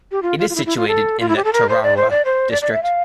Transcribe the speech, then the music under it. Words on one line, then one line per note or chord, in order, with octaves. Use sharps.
It is situated in the Tararua District.
G4
F4
F4
F4
E4
E4
F4
A4
F4
E4
G4
A4
A#4
C5
D5
C5
D5
C5
D5
D5
E5
F5